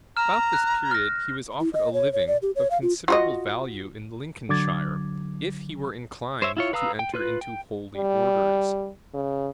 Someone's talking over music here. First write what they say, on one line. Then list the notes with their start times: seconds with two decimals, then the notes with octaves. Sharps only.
About this period he was offered a living of considerable value in Lincolnshire, if he were inclined to enter into holy orders.
0.17 A#5 F6 E7
0.53 F#6
0.91 F6 A#6
1.60 E4
1.73 D#5
1.93 C#5
2.13 C#5
2.28 D5
2.42 G4
2.56 C#5
2.71 F5
2.82 F4
3.08 F4 F#4 D#5
4.49 D3 F#3 D6 G#6 A6
6.42 C5 C#5 E5
6.57 E4 F4 C#5
6.73 B4 F5 A#5 D#6 E6
6.99 G5
7.14 F4 B4 F#6
7.41 G5
7.96 G3
9.14 C#3